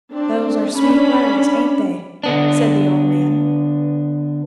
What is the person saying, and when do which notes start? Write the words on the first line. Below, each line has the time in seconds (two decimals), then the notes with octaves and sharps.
'Those are sweet words, ain't they?' said the old man.
0.13 C4 D4
0.75 C#4 D4 B5
2.23 D3 B3 D4